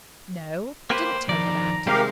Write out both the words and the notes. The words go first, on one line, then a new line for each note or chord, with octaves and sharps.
"No; I didn't tell her that."
A#3 G4 B4 C5
F2 D#3 D5 A#5
C3 D#3 G3 G#3 G4 A#4 F5